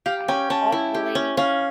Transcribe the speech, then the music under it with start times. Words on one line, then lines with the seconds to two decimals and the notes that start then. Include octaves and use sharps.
I called the lady
0.06 G4 F5
0.28 C#4 G5
0.50 C#4 A5
0.72 E4
0.94 G4
1.15 C#4
1.37 C#4 F5